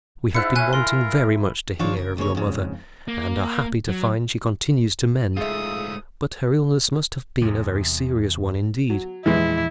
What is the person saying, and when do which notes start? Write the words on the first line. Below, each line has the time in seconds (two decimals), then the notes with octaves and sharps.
We have been wanting very much to hear of your mother, and are happy to find she continues to mend, but her illness must have been a very serious one indeed.
0.34 G#2 E4 E5 F#6 C#7
0.56 D3 A3 C#4 G#5 F#6 D#7
0.73 F4 A#4 C6
1.79 D#3 F3 D4 C#5 F5
1.94 C#3 A#4
2.17 D2 C#3 A#3 C#5
2.35 F2 G#2 C#3
3.08 A#3
3.88 F#3
5.37 G#2 A3 F4 G#4 E5 D#6
7.42 E2 C3
8.90 F#3
9.26 E2 A#2 E3 F3 G#3 E4